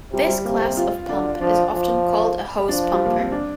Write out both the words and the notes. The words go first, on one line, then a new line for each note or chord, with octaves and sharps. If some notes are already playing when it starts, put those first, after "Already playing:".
This class of pump is often called a 'hose pumper'.
C3 G3
G3
C3 A#3
C4
F4
D3 D4
F3 D4
F3
F3 D4
G3
A#3
C4
D4